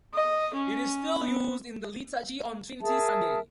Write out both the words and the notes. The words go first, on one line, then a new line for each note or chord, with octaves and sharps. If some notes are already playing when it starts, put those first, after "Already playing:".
It is still used in the liturgy on Trinity Sunday.
D#5
C#4
B3
G#4 A#4 E5 A5